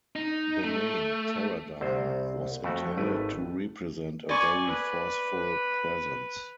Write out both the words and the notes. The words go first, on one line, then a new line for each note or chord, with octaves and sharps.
The name, Teradyne, was intended to represent a very forceful presence.
D#4
A3
C2 C4 C5
F2 A3 F#4
G#1 A3 B4 D5
D5 G#5 C#6
B4